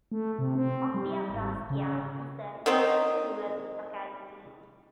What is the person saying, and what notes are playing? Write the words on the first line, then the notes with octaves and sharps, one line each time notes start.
Oktyabrskaya is the nearest rural locality.
A3
C3
C4
G3
G#1
C#3
D#3 F#3 C4 D#4